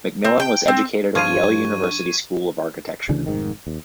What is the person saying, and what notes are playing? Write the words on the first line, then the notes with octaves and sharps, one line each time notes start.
McMillan was educated at Yale University School of Architecture.
C4
G5
C4
G2 F3 D4 F4 C#6 G#6 D#7
D2 C#3 E3 D4
F1 G#2 D#3
D#2